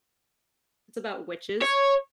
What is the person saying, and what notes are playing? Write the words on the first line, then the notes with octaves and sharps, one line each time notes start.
it's about witches,
C#5